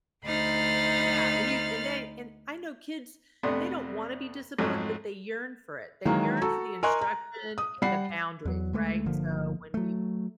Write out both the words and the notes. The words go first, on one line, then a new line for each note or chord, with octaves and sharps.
Yeah, and you and they and I know kids, they don't wanna be disciplined, but they yearn for it. They yearn for the instruction and the boundaries, right? So, when we
D2 D#4 C5 B5 F6 A6
F2 C3 A3 B3 D4 C6
F2 G#2 F3 F#3 A3
D#3 E3 F#3 G#3 A#3
F#4 A4 A#5
A#4 D#5 G#5 C6 C#6 F#6
A#5
D#6
G3 F#5 B5 C7
E2 F#3
D2 G#3 A3
G1 D3 F3 A#3
F#3 A3